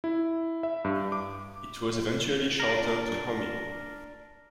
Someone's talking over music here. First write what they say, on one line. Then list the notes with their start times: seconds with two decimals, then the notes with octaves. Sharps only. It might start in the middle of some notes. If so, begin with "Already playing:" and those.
It was eventually shortened to "homie".
0.04 E4
0.63 E5
0.85 G2
1.12 D6
2.60 D4 A#4